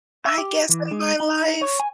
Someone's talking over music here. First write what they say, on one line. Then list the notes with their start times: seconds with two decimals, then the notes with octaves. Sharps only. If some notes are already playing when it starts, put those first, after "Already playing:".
I guess, in my life,
0.25 E5
0.38 G4
0.69 E3
0.91 G#3
1.20 D#4
1.61 C#5
1.80 G#5